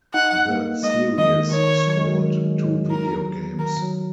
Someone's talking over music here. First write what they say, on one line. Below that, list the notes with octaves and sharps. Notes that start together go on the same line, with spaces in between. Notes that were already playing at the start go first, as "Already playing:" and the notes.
The series spawned two video games.
D#4 F#5
A#3
G#3 D#5
D#3 D#5
D#3 C#5
F#3
G#3
F#3
D#3
G#3
G#3
F#3
A#4
D#3 A#4
F#3